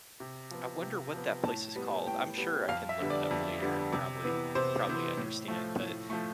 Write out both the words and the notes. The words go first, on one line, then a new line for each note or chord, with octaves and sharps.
I wonder what that place is called, I'm sure I can look it up later and probably probably understand, but,
C3
F3 B3
C3
F3 B3
A2 A5
G3 B3
A2 G5
G3 B3
F2 F5
E5
D3 G3 B3
D5
F2
D3 G3 B3
C3
E3 B3
C3 C5
E3 B3
A2
F3 A3
A2
F3 A3